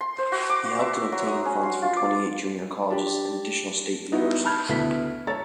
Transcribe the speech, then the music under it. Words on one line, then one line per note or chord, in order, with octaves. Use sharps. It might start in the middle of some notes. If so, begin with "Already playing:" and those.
He helped in obtaining funds for twenty-eight junior colleges and additional state universities.
C6
C5
F#4
D6
F#4
E5
F#3
D#6
C#4
C6
F4
D6
D4 G4
B3 D#4 E4 F#4
A5 B5 F6 G6 G#6
D2 B3 E4 B6
A4 C#5 A#5 A6